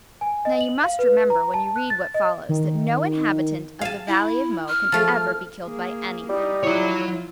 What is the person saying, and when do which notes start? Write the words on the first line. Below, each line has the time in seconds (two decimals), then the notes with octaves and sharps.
Now you must remember, when you read what follows, that no inhabitant of the Valley of Mo can ever be killed by anything.
0.21 G#5
0.45 D#5
0.61 F#7
0.84 F5
0.99 B4
1.30 A#5
1.54 A5
1.76 F#6
1.90 A6
2.14 D#5
2.49 D#3
3.81 F5 G#5 A5
4.08 E4
4.68 F6
4.92 F3 A3 F5
5.64 A#3 G#4
6.29 G3 D#4 E4
6.64 F#3 E4 F4 C#5